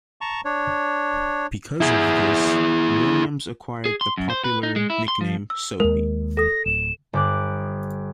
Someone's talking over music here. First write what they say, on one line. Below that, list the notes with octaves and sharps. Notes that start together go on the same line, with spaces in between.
Because of this, Williams acquired the popular nickname Soapy.
A5 A#5 C#6
D4 C#5
E4 G#4
G#4
C6
F#2
C5
B4
D#4
G#3
E4
C6
F3
E6
D#2 G#3 A#4
A4 D#6 A#6
D1 E7
G1 D6 F#6